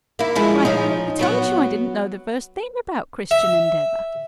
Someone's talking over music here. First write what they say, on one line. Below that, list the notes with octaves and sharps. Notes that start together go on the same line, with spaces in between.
"Why, I told you I didn't know the first thing about Christian Endeavor."
A#3 E4
F3 G#3 E4
F3 C#4 D#4
F#3 B3 F#4
E5